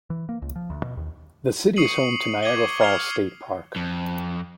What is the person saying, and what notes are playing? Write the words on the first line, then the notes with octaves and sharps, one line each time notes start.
The city is home to the Niagara Falls State Park.
E3
A#3
C#2
F3
D2
B2
D#2
C#6 D#6 C7 C#7 D#7 F#7
D6 G#6 D#7 G7
C#6
F6 G#6 C7 F7 G7
F2